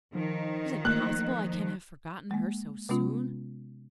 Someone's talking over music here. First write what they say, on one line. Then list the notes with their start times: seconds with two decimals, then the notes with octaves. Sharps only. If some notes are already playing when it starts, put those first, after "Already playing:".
'Is it possible I can have forgotten her so soon?
0.15 D#3 F3
0.85 A3 A#3 F#6
2.31 G#3 A#3
2.89 C3 G#3 B3 C#4 F4